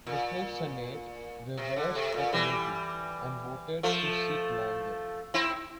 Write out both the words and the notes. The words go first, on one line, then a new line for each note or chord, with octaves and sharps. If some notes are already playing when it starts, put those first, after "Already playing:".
The full Senate reversed the committee, and voted to seat Langer.
A#2
C3
D3
C3
A#2
E3 G3
F3 A3
C4 E4